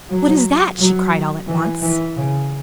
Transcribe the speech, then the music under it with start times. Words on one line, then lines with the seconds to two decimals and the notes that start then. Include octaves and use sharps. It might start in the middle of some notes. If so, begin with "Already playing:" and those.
"What is that?" she cried, all at once.
0.10 F#3
0.78 F#3
1.48 E3
1.82 E3
2.17 C#3